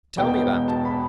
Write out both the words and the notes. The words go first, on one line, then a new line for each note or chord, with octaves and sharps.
"Tell me about it."
E1 E2 B2 B3 G5
A5
B5